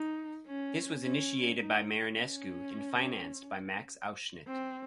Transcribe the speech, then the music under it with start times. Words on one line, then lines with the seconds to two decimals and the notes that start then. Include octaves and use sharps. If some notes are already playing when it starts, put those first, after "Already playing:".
This was initiated by Marinescu and financed by Max Auschnitt.
Already playing: D#4
0.46 C#4
1.03 C#4
1.60 D#4
2.17 C#4
4.47 C4